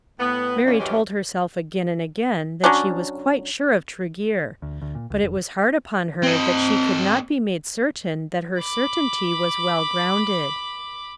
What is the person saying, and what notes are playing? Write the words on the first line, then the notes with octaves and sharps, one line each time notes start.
Mary told herself again and again that she was quite sure of Tregear;--but it was hard upon her that she could not be made certain that her certainty was well grounded.
A2 B3
A#2 D3 E3 A#3 C#4
F#2 E3 G#3 C#4 G4
F#3 C#4 D4
D2
D2
A#2
C#2
F1
C4 D#5
B5 D6